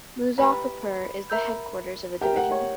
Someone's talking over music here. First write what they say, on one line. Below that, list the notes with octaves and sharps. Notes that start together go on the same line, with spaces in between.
Muzaffarpur is the headquarters of the Division.
G4 B4 E5 G5 A#5 B5
A#4 E5 A#5 E6 G6
G4 A#4 E5 G5 A#5
F#5
C#5